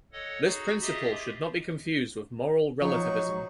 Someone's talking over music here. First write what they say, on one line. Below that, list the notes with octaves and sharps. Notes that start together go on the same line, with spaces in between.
This principle should not be confused with moral relativism.
A4 C#5 D#5 F#5
D#4 F#4 G#4
F4 G4 G#4 D#5 E5 D#6
F3 F#3 D#4 C#6